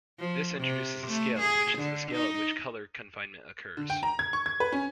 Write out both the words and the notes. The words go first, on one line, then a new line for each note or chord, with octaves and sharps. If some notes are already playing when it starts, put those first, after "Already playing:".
This introduces a scale, which is the scale at which colour confinement occurs.
F3
C3
A3
G#4
D3
D#4
D3
G5
A#5
G#6
C#6
G#6
B4
C#4